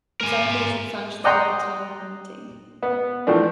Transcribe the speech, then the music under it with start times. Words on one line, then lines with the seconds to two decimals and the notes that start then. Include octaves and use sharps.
In some cases it functions like a town hall meeting.
0.21 A#4 G#5
1.24 D5 D#5 F#5 G5 A#5 C6
2.83 B3
3.27 A2 E3 F3 A3 D4